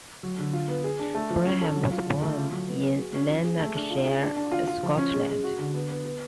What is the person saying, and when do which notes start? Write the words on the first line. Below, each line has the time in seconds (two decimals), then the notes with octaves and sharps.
Graham was born in Lanarkshire, Scotland.
0.23 F#3
0.39 D3
0.53 F4
0.68 B3
0.84 G#4
0.99 D4
1.15 A3
1.30 F3
1.46 C#4
1.61 A4
1.76 F#3
1.91 F4
2.06 D3
2.22 A3
2.37 F4
2.52 F#3
2.67 B3
2.83 G#4
2.98 F#4
3.14 C#4
3.30 F3
3.44 G#4
3.59 A3
3.76 D4
3.90 F4
4.05 G#4
4.22 D4
4.37 D4
4.52 F4
4.67 F4
4.83 F3
4.97 C#4
5.13 G#3
5.29 G#3
5.44 F#4
5.59 D3
5.74 B3
5.89 B3
6.05 B3